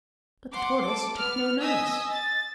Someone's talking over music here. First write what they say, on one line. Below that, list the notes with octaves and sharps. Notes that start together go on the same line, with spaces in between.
But the tortoise took no notice.
F#5 C6 D6
A4 D6
B3 F6
D#5 G#5 D#6 E6 B6
A6